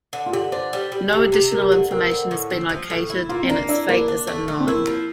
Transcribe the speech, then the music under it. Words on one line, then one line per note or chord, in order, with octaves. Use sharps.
No additional information has been located, and its fate is unknown.
D3
F4
D3 G4
D4 C5
G3
G3
C3
C3
G3 A#4
D3
C4 A#4
D3
A2
C4
F3
A2
E4
A#3 F4
C4
A#3 D4
D4 E4
A#3 D4
D4
A3
A3
C4
A#3 E4
F3